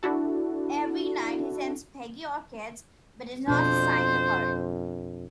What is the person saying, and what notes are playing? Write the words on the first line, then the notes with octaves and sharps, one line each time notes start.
Every night, he sends Peggy orchids, but does not sign the card.
D4 E4 F#4 A4
F2 B2 D4 C5